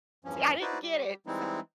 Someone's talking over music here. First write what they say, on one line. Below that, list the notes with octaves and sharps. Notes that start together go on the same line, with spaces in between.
See, I didn't get it, so
E2 G2 F3 C#4
D#4 E4 F#4 B4 C5 D5
G3 G4
E3 G3 G#3 C4 D#4 E4